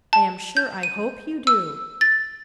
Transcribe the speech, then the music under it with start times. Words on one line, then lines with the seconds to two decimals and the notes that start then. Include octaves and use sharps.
I am sure I hope you do.
0.13 A5
0.57 G6
0.83 D#7
1.47 E6
2.01 A6